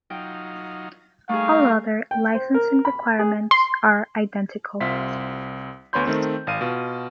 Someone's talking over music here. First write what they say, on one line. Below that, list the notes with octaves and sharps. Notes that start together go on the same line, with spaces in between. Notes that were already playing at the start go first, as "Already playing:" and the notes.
All other licensing requirements are identical.
F#3 D#4 F4 G5
G3 A3 A#3 D#4 G#4 F5 C#6
G5
C5
A#4
B5
G#4
C6
C2 C4 F4 E5 B6
D2 B3 C#5 B5 C6 G6
D#3 A3 C4
G#1 F5 D#7
B2 F4